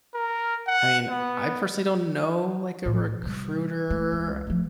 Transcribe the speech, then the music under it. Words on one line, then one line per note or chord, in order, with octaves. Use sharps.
I mean, I personally don't know, like, a recruiter
A#4
F#5
B3
A2 F3
C3 G3
A3
C#2
F3 A3